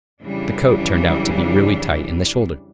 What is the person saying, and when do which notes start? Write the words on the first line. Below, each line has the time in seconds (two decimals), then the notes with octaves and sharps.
But the coat turned out to be really tight in the shoulders.
0.24 F2 C#3 E3 G3 D4